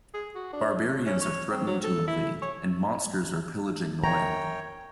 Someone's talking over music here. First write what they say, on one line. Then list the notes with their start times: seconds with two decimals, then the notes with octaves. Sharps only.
Barbarians are threatening to invade, and monsters are pillaging the land.
0.14 G#4
0.35 F#4
0.53 D4
0.87 C#3
1.06 C#4
1.21 C#5
1.51 C4
1.67 F#3
1.84 A4
2.07 E4
2.42 C#5
4.04 F#2 C#5 G5 A#5